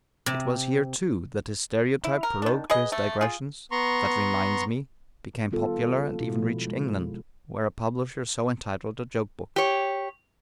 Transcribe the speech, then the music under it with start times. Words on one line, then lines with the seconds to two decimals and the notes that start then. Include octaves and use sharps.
It was here, too, that his stereotyped prologue to his digressions--"That reminds me"--became popular, and even reached England, where a publisher so entitled a joke-book.
0.26 C3
2.04 E4
2.23 A#4
2.42 D#3 D4
2.70 G#4 B4 D#5
2.92 A3
3.21 F4 G#4
3.71 B3 A#5 C6 C#6
5.51 D#3 G3 B3 F4 A4
6.20 B2 E4 F#4
6.38 F3 G#3
6.67 G#3
9.56 G4 C#5